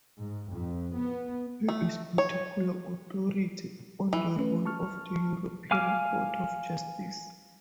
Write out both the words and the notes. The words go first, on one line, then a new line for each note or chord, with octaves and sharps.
He is a particular authority on the role of the European Court of Justice.
G#2
F2
B3
A3
C#5
E3
A3 C#4 B4
A5 C#6 F6
F5 G#5 D6 F6